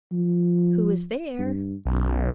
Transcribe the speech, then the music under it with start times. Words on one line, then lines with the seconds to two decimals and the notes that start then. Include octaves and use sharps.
"Who is there?"
0.11 F3
1.39 G2
1.85 B1 F#2